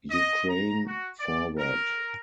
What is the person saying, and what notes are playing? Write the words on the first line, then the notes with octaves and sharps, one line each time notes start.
Ukraine - Forward!
D#5
A#5
F#4
D5
A#4